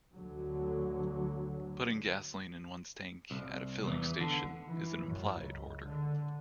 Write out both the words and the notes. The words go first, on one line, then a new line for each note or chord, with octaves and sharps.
Putting gasoline in one's tank at a filling station is an implied order.
D2 D3 F#3
C2
E2 E3
D3
E3
F#2
C#2
D3